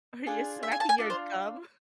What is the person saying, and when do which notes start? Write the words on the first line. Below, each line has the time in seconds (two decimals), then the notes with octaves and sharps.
or you're smacking your gum,
0.26 D4 F4 G#4
0.63 E5
0.72 G#5
0.80 A5
0.89 G#5
0.98 D4 F4 A4
1.10 C5